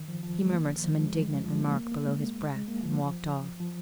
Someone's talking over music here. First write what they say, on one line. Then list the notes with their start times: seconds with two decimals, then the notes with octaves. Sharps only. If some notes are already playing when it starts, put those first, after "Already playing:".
He murmured some indignant remark below his breath, and walked off.
Already playing: D#3
0.08 F3
0.23 F3
0.39 G#3
0.53 A#3
0.64 F3
0.74 D#3
0.84 F3
0.92 G#3
0.99 F3
1.07 G#3
1.14 F3
1.22 G#3
1.29 F3
1.45 F3
1.55 G#3
1.61 A#3
1.76 A#3
1.92 A#3
2.06 G#3
2.56 G#3
2.68 A#3
2.83 F3
3.60 F3